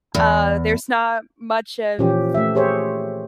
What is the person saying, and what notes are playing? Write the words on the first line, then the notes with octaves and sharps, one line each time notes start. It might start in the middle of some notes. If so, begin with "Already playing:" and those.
uh, there's not much of,
E2
A#2 E3 F3 C#4 G4
A3 E5
G4 G#4 C5 C#5